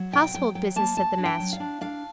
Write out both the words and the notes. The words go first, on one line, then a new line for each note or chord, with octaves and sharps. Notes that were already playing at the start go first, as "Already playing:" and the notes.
Household business, said the Master.
Already playing: F#3
B2 G5
F#3 G5
F#3 G5
A#3 A5
A#3 A5
D4
G5
F#3
F5
D4
D4 F5